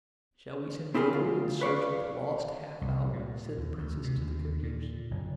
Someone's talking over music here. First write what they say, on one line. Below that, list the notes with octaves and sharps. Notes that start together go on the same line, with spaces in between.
"Shall we send Bobo in search of the lost half-hour?" said the Princess to the courtiers.
C4 E4 G4 G#4 A#4
D2 F4
B4 C#5 D5 F5
C2
A#2
D#2
D2
C3
D#2
A#2
F#1